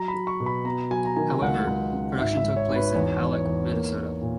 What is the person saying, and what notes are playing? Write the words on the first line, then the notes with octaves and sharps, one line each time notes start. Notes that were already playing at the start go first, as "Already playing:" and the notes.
However, production took place in Hallock, Minnesota.
Already playing: F#3 A#5
B5
F#3
C#6
B2
B5
B3 A#5
F#3 G#5
A#5
D#3 G#5
C#2 F#5
C#2
C#3
G#1 E5
E5
G#1
C#5
G#1
B4
E2 C#5
E2
C#5
E2
A#3
A#3
A#2